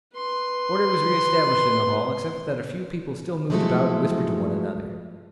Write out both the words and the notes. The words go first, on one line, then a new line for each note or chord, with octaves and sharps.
Order was re-established in the hall, except that a few people still moved about and whispered to one another.
B4 C6
F3 F#3 G#3 A3 E4 A4